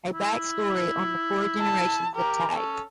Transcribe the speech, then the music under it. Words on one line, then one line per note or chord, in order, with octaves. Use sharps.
A back story on the four generations of tags.
E4
A5
G4 A#4
C#4 A4